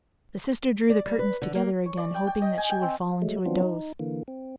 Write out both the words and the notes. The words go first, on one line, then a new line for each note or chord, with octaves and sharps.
The sister drew the curtains together again, hoping that she would fall into a doze.
D5
G3
B4
D3
A#3
C#5
D5
G5
G5
D#5
G#5
G5
C4
F#3 G#3 A3
F3 F#3 B3 C4 D4 F4
D#4
D3 E3 A#3
C4